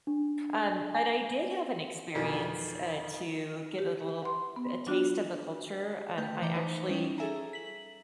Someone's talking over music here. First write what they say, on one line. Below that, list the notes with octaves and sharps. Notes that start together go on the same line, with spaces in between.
Um, but I did have an experience, uh, to get a little a taste of the culture. Um, I actually
D4
G#5
F2 B2 D#3 E3
G4
F#5 B5 C6
B3
F#3 D4 F4 F#4
A3 B4 G5 G6
E3 A#5 D6 C#7 G7
D#4 B4 C5
G3 C#4 D#4
G#4 A4 E5 G#5 A#5
B6 F#7